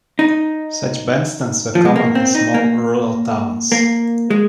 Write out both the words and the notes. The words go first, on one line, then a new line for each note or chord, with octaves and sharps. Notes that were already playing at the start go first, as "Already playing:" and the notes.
Such bandstands were common in small rural towns.
D#4
F3
G#3
A#3
C4
D#4
A#3
A#3
G#3